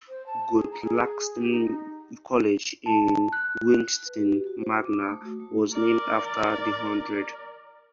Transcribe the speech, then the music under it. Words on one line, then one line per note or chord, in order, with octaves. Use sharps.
Guthlaxton College in Wigston Magna was named after the hundred.
C5
A5
G#4
A#5
G#4
G4
D#4
A5
F#6
B4
G4
F#4
F#4
C5
D6
D#6
A3
F#4
A3
A#4 D5